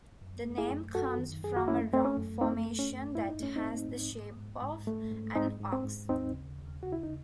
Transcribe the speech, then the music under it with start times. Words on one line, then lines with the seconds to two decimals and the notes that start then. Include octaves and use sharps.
The name comes from a rock formation that has the shape of an ox.
0.21 F#2
0.46 A3
0.58 E4 G#4
0.70 F#2
0.95 F#2 F#4 A4
1.19 D#3
1.43 F#2 G#4
1.57 F#4
1.68 A3 C#4 E4
1.93 A3 C4
2.05 C#4
2.17 F#2
2.41 A3 C4 D#4
2.66 A3
2.79 C#4
2.91 F#2
3.15 G#2 E4
3.29 D#4
3.40 A3 C#4
3.56 C4 D#4
3.65 G#2
3.88 G#2
4.13 G#2
4.37 G#2
4.62 G#2
4.87 A3
5.11 G#2
5.36 G#2 C4 D#4
5.60 G#2
5.73 C4
5.84 G#2
6.09 D#2 C4 D#4
6.34 C#3
6.59 D#2
6.83 C#3 F#4
6.93 E4
7.03 C#3 D#4